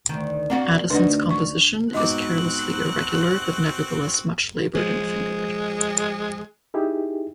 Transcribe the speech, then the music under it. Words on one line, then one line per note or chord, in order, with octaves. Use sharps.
Addison's composition is carelessly irregular but nevertheless much-laboured and fingered.
D2 D#3
A#3 C4 D4 F#4 F#5
D2 D4 D#4 F#4 B4
C#6
G#2 B2 C4 F#4 D#5 D6 F#6
F3 G#3
D#4 E4 G4 G#4